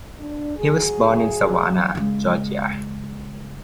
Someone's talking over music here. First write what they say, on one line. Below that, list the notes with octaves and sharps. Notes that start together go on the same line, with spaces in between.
He was born in Savannah, Georgia.
D4
F#3 G#4
C#3 G#3